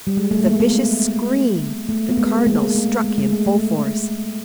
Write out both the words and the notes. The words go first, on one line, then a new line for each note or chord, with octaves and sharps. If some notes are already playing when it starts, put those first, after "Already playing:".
With a vicious scream the Cardinal struck him full force.
G3
G#3
A3
G#3 A#3
A3 B3
A3
B3
G#3 A#3
G#3 A#3
A3
G#3
G#3
A3
A3